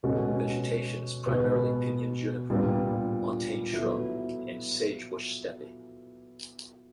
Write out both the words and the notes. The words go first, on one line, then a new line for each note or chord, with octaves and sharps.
Vegetation is primarily pinyon-juniper, montane shrub, and sagebrush steppe.
B2 G#3 C#4 F#4 A4
B2 G#3 B3
A#2 G3 B3 D4
F#3 B3 E4 A4